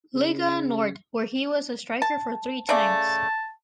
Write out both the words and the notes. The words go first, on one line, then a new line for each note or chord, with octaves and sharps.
Liga Nord, where he was a striker for three times.
C#3
A5
C#3 A3 D5 A5